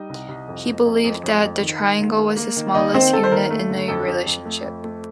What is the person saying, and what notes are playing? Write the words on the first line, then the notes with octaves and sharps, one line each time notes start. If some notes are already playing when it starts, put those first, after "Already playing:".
He believed that the triangle was the smallest unit in a relationship.
Already playing: G3 D#4 D#5
C2
C2
F2
F2
F2
F2
F2
F2
D#3
D#3
D#2
A#3
A#3
D#3
D#2 D#4 D#5
D#3 C4 C5
D#3 A4
C5
D#2 A#4
A3
G1
F2 A4
F2
F2
A3
F2
A3